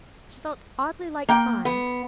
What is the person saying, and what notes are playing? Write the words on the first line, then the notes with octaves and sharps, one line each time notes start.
She felt oddly like crying.
A#3 G5
B3